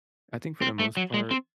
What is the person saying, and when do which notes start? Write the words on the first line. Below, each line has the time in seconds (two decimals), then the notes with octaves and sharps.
I think for the most part
0.62 C4
0.79 A3
0.97 F#3
1.14 G#3
1.31 C4